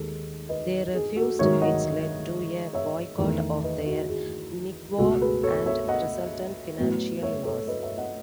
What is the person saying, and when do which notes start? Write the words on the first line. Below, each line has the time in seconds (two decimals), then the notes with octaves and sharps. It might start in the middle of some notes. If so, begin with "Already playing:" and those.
They refused, which led to a boycott of their mikvah and resultant financial loss.
Already playing: D#2 D#3 G#3 A4
0.49 B4 D#5
0.94 G#4
1.16 F#4 A4
1.39 G#2 D#3 F#3 C#5 E5
1.62 D#5 F#5
2.73 C#5 E5
3.19 E2 D#3 A3
3.64 B4 D#5
3.86 F#4
4.09 G#4
4.98 C#2 B2 A3 F#4 A4
5.21 G#4 B4
5.43 A4 C#5
5.66 C#5 E5
5.88 D#5 F#5
6.78 A2 F#3 B3
7.23 C#5 E5
7.45 A4 C#5
7.68 B4 D#5
7.83 C#5 E5
7.98 D#5 F#5